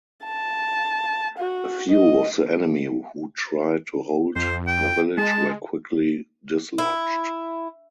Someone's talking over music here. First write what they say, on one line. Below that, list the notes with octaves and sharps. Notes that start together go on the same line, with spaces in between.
A few of the enemy who tried to hold the village were quickly dislodged.
A5
F#4
D#5
F2 C5
G5
G#3 A5
E4